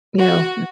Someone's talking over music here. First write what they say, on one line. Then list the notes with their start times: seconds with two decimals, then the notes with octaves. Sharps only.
you know,
0.19 F#4